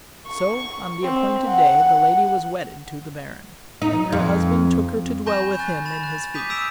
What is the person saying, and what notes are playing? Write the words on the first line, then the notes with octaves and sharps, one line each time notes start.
So on the appointed day the lady was wedded to the baron, and her husband took her to dwell with him in his fief.
C#6
C4
F#5
D#4
F2
G#5 B5 C#6 G6 A#6 E7
G#5 F#6 A6
B5 A6 E7
F#6
D6 D#6 G6 B6 D#7 F7
E6 B6 D7 E7 F7